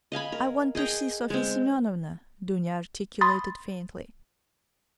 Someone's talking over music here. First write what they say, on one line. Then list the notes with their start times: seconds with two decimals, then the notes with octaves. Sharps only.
"I want to see Sofya Semyonovna," Dounia articulated faintly.
0.12 D#5 F5 G#5 B5
0.32 A#4
0.75 G#4 D#5 G5 A#5
1.30 G#3 C4
3.21 B5 C6 D#6 A6